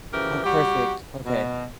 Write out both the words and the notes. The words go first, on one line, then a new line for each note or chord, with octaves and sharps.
Oh, perfect, okay.
C#3 E3 F3 G4 A#4
G3 F#4 G4
B2